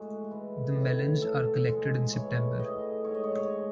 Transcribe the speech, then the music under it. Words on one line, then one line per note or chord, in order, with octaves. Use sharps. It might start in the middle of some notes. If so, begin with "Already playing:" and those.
The melons are collected in September.
Already playing: A2 G#3 F#4
E3
A2
A2 A4
G#3
E3 C#5
A2 D#5
G#2 C#5
D#5
C#5
C#5
G#3